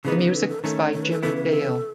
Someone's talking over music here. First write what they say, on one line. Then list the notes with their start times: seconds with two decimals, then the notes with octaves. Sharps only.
The music was by Jim Dale.
0.05 C#3 E3 B3 D#4 G#4
0.19 B4
0.34 A4
0.49 A4
0.59 B4
0.64 D#3 A3 C#4 A4
0.93 A4
1.03 B4
1.12 A4
1.23 C#3 E3 B3 E4 A4
1.37 B4
1.51 A4